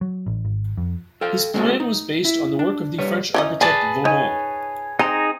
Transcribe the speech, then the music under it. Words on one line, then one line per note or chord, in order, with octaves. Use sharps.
His plan was based on the work of the French architect Vauban.
F#3
A1
G#1
F2
A4 F5 G5
G#3 A#3 C4 F#4 G#4 A4
D#4
E4
D4
G3 B4 C#5
E3 C#4 D#4
G#4 B4 D5 G#5 A5
D#4 C#5 G#5
C4 D#4 G#4 A#5